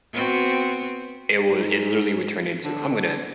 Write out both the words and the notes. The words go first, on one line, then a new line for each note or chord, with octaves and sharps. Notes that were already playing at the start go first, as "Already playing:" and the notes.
it would it, literally, would turn into "I'm gonna
B3 C4 F#4
G#2
D3